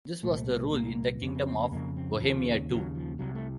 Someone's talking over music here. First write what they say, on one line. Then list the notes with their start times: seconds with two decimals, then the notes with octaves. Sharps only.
This was the rule in the Kingdom of Bohemia too.
0.23 C2 A#2 A3
0.73 C2 A#2 A#3
1.22 F2 C#3 C#4
1.35 C4
1.46 C4
1.59 A#3
1.71 F2 C#3 A#3
1.97 C4
2.21 D#2 C#3 F3
2.70 D#2 C#3 F#3
2.95 F3
3.19 C2 C3 F#3
3.35 A3